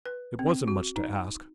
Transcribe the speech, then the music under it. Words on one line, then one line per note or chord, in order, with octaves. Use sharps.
It wasn't much to ask.
B4
C4
F#4
D#4